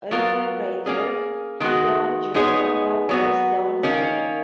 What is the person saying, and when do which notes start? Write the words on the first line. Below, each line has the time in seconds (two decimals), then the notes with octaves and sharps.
A lunar crater, Theon Junior, now bears Theon's name.
0.11 F#3 B3 F4 A#4
0.86 A#3 C#4 G#4
1.60 D#3 G#3 B3 F#4
2.34 G#3 B3 D#4 G#4 C#5
3.09 F#3 B3 F#4
3.83 D#3 A#3 C#4